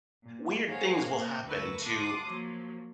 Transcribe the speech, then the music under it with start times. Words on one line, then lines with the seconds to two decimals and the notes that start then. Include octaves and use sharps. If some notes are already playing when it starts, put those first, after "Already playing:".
weird things will happen to
0.24 A#2
0.69 G#4 A#4 C5 C#5 F5 F#5
1.11 A#2
1.45 D2 A#4 B4 C#6 E6
1.84 F#5 A5 C6 D6 D#6
2.26 F3 F#3 A#3